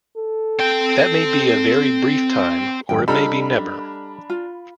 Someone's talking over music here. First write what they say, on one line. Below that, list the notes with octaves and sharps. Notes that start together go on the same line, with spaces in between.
That may be a very brief time, or it may be never.
A4
C4 G5
G#1 F#2 G5
G3 D4 F4 A4 D#5 A#5 B5 F6
F4